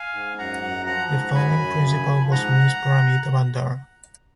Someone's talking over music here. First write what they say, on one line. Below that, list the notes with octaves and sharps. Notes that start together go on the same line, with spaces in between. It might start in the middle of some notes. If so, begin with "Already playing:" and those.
The founding principal was Miss Paramita Bandara.
Already playing: F5 G#5
G#2
F#2 F#5 A#5
F#2
F3 F#5 A#5
G#2
F#2 G#5 B5
F#2
C#3
F3
G#2 F#5 A#5